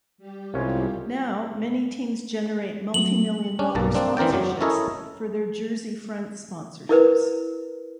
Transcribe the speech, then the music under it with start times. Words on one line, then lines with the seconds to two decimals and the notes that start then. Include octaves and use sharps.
Now, many teams generate multimillion-dollar sponsorships for their jersey-front sponsorships.
0.18 G3 G4
0.54 C2 G#3 C#4 E4 F4
2.94 F#3 A3 F#7
3.59 C#4 D4
3.75 B1 G2 A#3 A5
3.95 A#3 C4 D4
4.17 E3 C4 A#4 D5 G5
4.33 F#2 F#3 D5
4.61 C#4 E4 A4 A#4 C#5 D#5
6.89 E4 A#4 B4